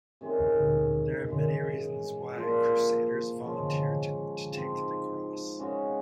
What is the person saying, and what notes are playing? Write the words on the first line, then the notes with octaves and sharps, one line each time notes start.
There are many reasons why crusaders volunteered to "take the cross".
C3 D#3 G#3 C#4
F#2 C#3 G#3
A#2 F3 A#3 F4
F3 G#3 C#4
G#2 F3 C4
C#3 G#3 C#4 F#4